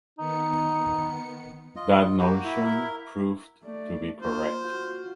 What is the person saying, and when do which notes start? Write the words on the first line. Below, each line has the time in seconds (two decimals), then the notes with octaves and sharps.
That notion proved to be correct.
0.18 D#3 B3 D#4 C#7
1.76 F4 D#5
2.18 A#3 F#4 G4
2.43 E4
2.64 A#4
3.63 A3 D5
4.21 A#3 F4 C5
4.63 F4 F#4